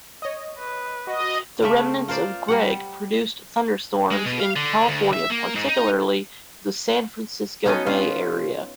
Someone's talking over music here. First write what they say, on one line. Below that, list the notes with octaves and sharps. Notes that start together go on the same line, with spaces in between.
The remnants of Greg produced thunderstorms in California, particularly the San Francisco Bay Area.
C#5 D#5
B4
F#4 D#5
C#3 A3 E5
F4 A#4 C5 D5
G3 G4 F#5
G#3
B2
F5
D3
D2
E5
A#3
G#2
D#4
F#3 B3 C#4 D#4 A4 D#5
C#4 F4